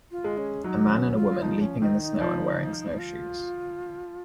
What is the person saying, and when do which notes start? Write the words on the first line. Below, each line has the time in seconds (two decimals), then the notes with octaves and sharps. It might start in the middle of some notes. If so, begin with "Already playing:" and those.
A man and a woman leaping in the snow and wearing snowshoes.
0.11 F4
0.24 G#3
0.38 C#4
0.64 F#3 D#4
0.90 C#4
1.16 F4
1.42 F3 D#4
1.61 C#4
1.81 D#3 D#4
2.01 D#4
2.21 F3
2.90 D#4
2.98 F4